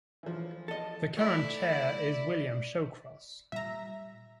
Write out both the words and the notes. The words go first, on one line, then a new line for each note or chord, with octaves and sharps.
The current Chair is William Shawcross.
E3 F3
A4 D#5
A3 E4 D5
A#2 G3 E5 A#5